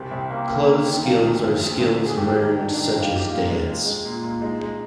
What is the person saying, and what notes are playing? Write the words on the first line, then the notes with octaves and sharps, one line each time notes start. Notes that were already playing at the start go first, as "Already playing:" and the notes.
Closed skills are skills learned such as dance.
Already playing: C2 G4
C2
A#3
A#3
A#3
D#3
F3 F4
D2
D2
D2
D2
D3
G#4
G2 G4
G4
D#3
D#3 D4
D#3 D4
D#4
G2
F4
D#3 G4
A#2 F4
G#3
G#3
G#3
A#2
A#2
G#3 D#4
G#3